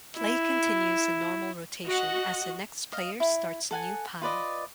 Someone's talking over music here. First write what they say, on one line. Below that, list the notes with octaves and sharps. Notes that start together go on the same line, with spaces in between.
Play continues in normal rotation as the next player starts a new pile.
E4
F#4 D#5 F#5
D#5 F5
E4
A4 F#5 G#5
F4 B4 D5 D#5